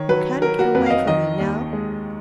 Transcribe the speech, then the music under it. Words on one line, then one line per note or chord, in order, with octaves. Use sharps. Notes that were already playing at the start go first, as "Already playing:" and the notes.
You can't get away from me now.
Already playing: D#3 C#5
F#3 B4
F#3 A#4
F#4
F2 B4
F5
D#5
D#3 D#5
D#2
G#3